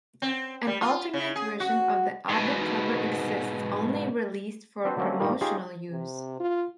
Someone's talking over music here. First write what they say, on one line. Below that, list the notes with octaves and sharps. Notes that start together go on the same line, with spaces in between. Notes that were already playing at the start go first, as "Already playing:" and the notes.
An alternate version of the album cover exists, only released for promotional use.
C4
G3
F4
C#3
G#4
F#4
G#2 B2
C4 D4 F#4 B4 C5
D3 F#3 A3 A#3 C4 C#4
G2 A#2 D#3 G3 A#3
D#4 F4 G4 G#4 C#5
C3
F4